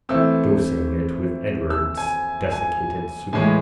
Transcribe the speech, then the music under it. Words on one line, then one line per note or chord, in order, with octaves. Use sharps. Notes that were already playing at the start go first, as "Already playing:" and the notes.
Dosing it with Edwards' desiccated soup.
E3 A3 C4 E6
E6
G#5
G#5
A2 E3 G#3 G#5